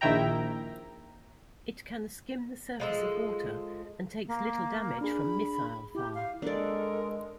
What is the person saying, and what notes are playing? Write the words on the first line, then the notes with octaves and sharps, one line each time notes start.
It can skim the surface of water and takes little damage from missile fire.
A#1 D#3 E4 E5 G5 A#5
F3 G#3 A4
A#3
D4 G#4 B5
E4 G4
F5
G#3 D4 A4 A#4 D5